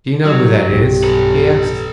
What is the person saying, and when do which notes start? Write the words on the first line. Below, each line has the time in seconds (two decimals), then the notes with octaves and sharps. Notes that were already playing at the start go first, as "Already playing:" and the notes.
"Do you know who that is?" he asked.
0.25 F#3 G3
0.68 B1 G2 G4
1.04 A4 B4